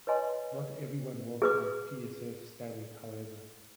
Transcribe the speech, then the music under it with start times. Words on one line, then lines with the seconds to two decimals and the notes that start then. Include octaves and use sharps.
Not everyone welcomed the PsF standard, however.
0.07 B4 C#5 D#5 G#5 C6
1.42 G#4 B4 D6